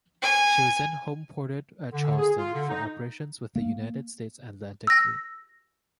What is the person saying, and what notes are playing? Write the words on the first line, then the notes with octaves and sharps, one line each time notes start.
She was then home-ported at Charleston for operations with the United States Atlantic Fleet.
G#5
D3
G#4
F4
D3
D#4
A#3
E6 A#6